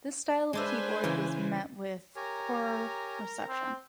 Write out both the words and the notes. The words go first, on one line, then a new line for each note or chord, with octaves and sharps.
This style of keyboard was met with poor reception.
G#3 D4 B4 C5 E5 G#5
C#3 E3 G5 A#5
G4 A#4 C#5 G#5 A#5
C4